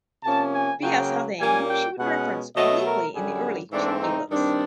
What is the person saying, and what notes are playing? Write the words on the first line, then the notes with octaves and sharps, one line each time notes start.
B. S. Haldane whom she would reference obliquely in the early "Chunky" books.
C3 F3 A#3 C#4 A5
G#5
C#3 F#3 A#3 G5
A#2 G3 A#3 C#4 G#5
G5
B2 G#3 C#4 F#5
B2 F#3 A3 D#5
A#4
F#2 D3 G3 G#4
G#2 E3 A3 C4 D4
D#4
G2 D#3 G3 C4 D4